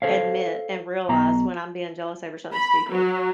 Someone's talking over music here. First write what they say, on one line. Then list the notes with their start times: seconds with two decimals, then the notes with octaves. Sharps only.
admit and realize when I'm being jealous over something stupid,
0.02 A4 C5 C#5 F5
1.09 B1 B2 A#5
2.54 B5
2.90 F#3